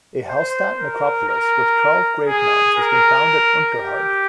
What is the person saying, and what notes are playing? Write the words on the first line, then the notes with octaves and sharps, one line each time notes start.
A Hallstatt necropolis with twelve grave mounds has been found at Unterhard.
C5
A#4
A#4
G#4
A#4
G4